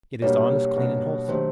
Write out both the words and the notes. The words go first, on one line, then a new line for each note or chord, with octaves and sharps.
It is honest, clean, and wholesome.
B2 G3 A#3 D4 F#4 C#5
B2 G3 A#3 D4 F#4
D#3 F#3 A3 D4 G4 C5